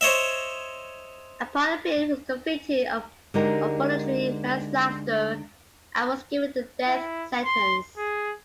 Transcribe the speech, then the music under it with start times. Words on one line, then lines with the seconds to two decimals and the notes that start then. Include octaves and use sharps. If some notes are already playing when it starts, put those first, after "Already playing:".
Upon appeal, he was convicted of voluntary manslaughter and was given the death sentence.
0.01 C5 C#5 D#5 E5
3.34 D3 G#3 D#4 G4 A#4
6.87 E4
7.45 C6
7.97 G#4